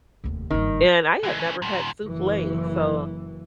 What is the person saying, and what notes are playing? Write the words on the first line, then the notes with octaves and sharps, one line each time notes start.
and I had never had souffle, so,
F1 D#2
F#1 G2 D#3
E3 G#3
E3 C#4
D#2 A#2
F#1 E3